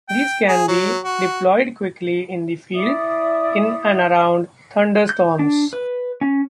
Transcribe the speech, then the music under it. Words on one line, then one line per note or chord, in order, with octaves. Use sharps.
These can be deployed quickly in the field, in and around thunderstorms.
G5
G#4
F#3
F#4
E4 D5 E5 D#6
G6
D4
B4
C#4